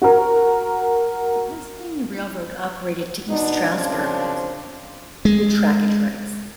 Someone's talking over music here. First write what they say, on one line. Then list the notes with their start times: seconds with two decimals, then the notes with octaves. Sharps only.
The Pennsylvania Railroad operated to East Stroudsburg, Pennsylvania, via trackage rights.
0.02 F#4 A#4
3.29 B2 B3 D4 D#4
3.70 F#2 C#3 F3 C4 D4
5.25 G#3